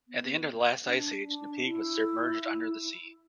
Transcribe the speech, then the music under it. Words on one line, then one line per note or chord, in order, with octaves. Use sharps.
At the end of the last ice age, Napeague was submerged under the sea.
B3
D4
D4
E4